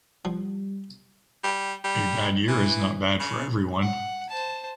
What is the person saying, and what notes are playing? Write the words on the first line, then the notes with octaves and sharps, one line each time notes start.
A bad year is not bad for everyone.
F3 G3
G3
G3
E3
C#3
F#5
C5 A5